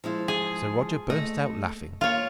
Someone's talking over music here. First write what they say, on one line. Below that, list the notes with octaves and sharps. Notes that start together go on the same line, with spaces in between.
So Roger burst out laughing.
F3 G#3 E4
G#4
A3 D#5
D#2 F4 C#5